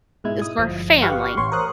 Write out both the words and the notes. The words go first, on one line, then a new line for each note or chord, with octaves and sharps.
is for family.
G#2 B2 G#3 E4 G#6
D#6
G1 F3
G4 B4 F5 F#5 C#6
A1 C#5 C6 C#6
A#4 C5 D#6 F#6